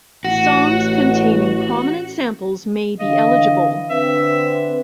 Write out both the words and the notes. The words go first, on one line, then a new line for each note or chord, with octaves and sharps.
Songs containing prominent samples may be eligible.
A1 F#4
D3 E3 D#5 F5
D3 C4 B4 E5